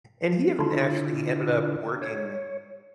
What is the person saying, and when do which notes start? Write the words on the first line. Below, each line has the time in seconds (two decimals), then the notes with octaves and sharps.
and he even actually ended up working
0.59 D3 D4 E4 F4
2.02 C#5